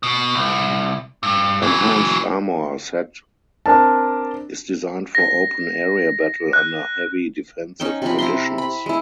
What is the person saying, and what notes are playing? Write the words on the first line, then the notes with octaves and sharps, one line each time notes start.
Enhanced armor set is designed for open area battle under heavy defensive conditions.
B2
C2
G2
E3 F#3
C4 D4 A#4 A5
A#6
F#6
C#4 D#4 G5
C3 F3 B5
E4 A#5 C6
B5
G#3 E4